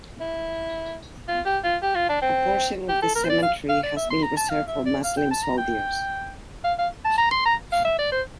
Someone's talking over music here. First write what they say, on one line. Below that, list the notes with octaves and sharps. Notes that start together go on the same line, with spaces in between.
A portion of the cemetery has been reserved for Muslim soldiers.
E4
F4
G4
F4
G4
F4
D4
C4
G4
A4
A#4
C5
D5
F5
F5
D5
E5
C6
A#5
A5
F5
E5
D5
F5
G5
A5
A#5
G5
F5
F5
A5
A#5
C6
A#5
F5
E5
D5
C5